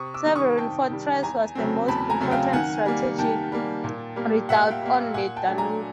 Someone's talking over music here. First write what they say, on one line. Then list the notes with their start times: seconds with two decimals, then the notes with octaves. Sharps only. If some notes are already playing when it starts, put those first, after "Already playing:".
Severin fortress was the most important strategic redoubt on the Danube.
Already playing: C3 C#6 D#6
0.14 D6 E6
0.25 D#3 G3
0.36 C#6 D#6
0.58 C3 G5 A5
0.90 D#3 G3
1.23 E2 G#5 A#5
1.55 C#3 F#3 A3 C4
1.88 E2 A5 B5
2.10 G#5 A#5
2.21 C#3 F#3 A3 C4
2.31 F5 G5
2.53 D#3 F#5 G#5
2.86 G3 A#3
3.18 D#3 G5 A5
3.52 G3 A#3
3.84 A#2
4.16 G3 A#3
4.49 A#2 E5 F#5
4.71 F5 G5
4.82 G3 A#3
4.93 F5 G5
5.14 A#2 F#5 G#5
5.36 G5 A5
5.48 F#3 A3 D4
5.58 G#5 A#5